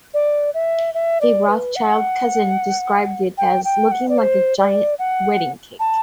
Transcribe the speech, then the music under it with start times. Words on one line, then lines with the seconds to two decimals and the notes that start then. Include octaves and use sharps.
A Rothschild cousin described it as: "looking like a giant wedding cake".
0.14 D5
0.54 E5
0.94 E5
1.21 D5
1.48 B4
1.76 F#5
3.38 G5
3.64 G5
3.92 F#5
4.09 D5
4.18 C5
4.58 D5
4.99 F#5
5.80 A5